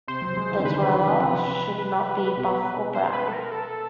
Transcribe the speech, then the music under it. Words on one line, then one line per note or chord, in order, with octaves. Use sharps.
The Toller should not be buff or brown.
C3 C5
F#3
G#3
E3
D3
D#3 B4
C5
E3 B4
F3
C3
B2
C5
B4
A4
A#4
A4